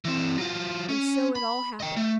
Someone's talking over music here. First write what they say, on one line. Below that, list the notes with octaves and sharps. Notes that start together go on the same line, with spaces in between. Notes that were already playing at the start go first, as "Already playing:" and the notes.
And so it all happened.
E3 C4
F#3 F4
C#4
B5
D#5 G5
A3